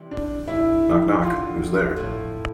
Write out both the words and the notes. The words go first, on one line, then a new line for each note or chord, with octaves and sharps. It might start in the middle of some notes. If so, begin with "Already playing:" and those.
Knock knock! Who's there?
Already playing: C3 E3 G3
D4
A2 E3 G3 D4 E4
E2 D3 F3 C4 E4 F4
A2 F3 A3 E4